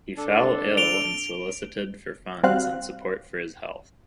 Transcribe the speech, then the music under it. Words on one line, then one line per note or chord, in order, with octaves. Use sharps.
He fell ill and solicited for funds and support for his health.
D3 D4 A4
D7 F7 G7
G3 C4 F#4 F5 F#6